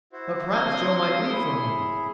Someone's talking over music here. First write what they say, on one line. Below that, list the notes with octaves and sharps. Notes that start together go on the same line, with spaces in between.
But perhaps Joe might leave for a moment.
E4 F#4 C5
C4 D4 C6 D#6
E4 G#4 C#5 E5